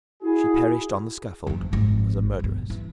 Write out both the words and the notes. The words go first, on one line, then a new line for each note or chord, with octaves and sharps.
She perished on the scaffold as a murderess!
E4 F#4 G#4
F#1 E3
G#1 F3
G1 B2
E3